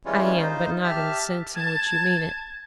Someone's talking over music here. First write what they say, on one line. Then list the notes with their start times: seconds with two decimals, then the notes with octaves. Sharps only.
I am--but not in the sense in which you mean it.
0.05 E3 G3 G#3 C#4 F4
0.37 D#4 F4 C5
0.84 G4 E5 A5 F6
1.55 A5 G#6